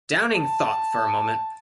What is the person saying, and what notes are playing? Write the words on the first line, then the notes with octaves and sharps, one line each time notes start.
Downing thought for a moment.
A5